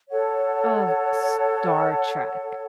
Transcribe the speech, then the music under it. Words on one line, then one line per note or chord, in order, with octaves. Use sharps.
of Star Trek,
A4 C#5 F#5